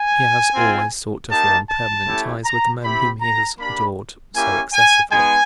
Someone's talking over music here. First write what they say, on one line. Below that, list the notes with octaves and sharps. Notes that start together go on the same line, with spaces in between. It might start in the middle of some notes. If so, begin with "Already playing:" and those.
He has always sought to form permanent ties with the men whom he has adored so excessively.
Already playing: G#5
C4 F4
A#3 D#4 G4 A5
A5
A3 C#4 E4 G4
A#5
C4 E4 G4 B5
A#5
A#3 D4 G4 B5
A#3 C#4 E4 G4 G#5
G#5
G#3 B3 D#4 G#5